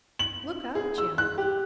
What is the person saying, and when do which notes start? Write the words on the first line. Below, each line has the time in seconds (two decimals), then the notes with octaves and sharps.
'Look out, Jim!
0.19 F#7
0.75 G#4
0.98 E6
1.18 F#6
1.38 G4